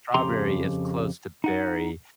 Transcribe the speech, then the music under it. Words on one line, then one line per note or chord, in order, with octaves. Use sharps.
strawberry is close to berry,
F2 C#3 G4 A#5 C6
D#4 F#5